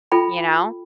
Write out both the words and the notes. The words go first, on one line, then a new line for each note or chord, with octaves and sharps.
You know?
F4 A4 G5 B5